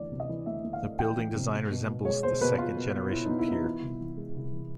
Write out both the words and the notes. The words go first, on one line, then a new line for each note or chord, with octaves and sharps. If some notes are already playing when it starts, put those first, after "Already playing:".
The building design resembles the second generation pier.
Already playing: D2 E3 D5
C3
D#5
E3
D2 E5
D2
F5
A3
E3 G5
E3
C3
B2
B2
B2
G#3 C#5
B2 C5
B2 B4
B2 F4
B2
B3
B2 E4
D#4
B3
E4
B3 D#4
E3 E4
C2
E3
G#3
C2
E3